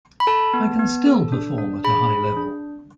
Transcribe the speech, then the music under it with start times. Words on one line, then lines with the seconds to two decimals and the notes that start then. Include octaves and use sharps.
I can still perform at a high level.
0.20 B5
0.27 A4 A5
0.54 B3
0.79 B3
1.06 A4
1.32 D4
1.58 D4
1.84 G#4 B5
2.11 G#4
2.37 D4